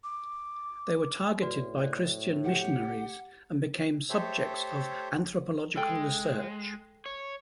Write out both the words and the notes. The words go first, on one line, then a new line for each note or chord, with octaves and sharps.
They were targeted by Christian missionaries and became subjects of anthropological research.
D6
A2 F#4 B4 D5
C5 D5
G4 F#5
A3 G4 A4 C5 C#5 E5
G#3 A4 G5
C#5